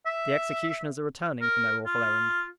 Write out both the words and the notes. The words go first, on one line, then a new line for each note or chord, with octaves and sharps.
The executioners are returning, from their awful errand.
E5
A#4
F4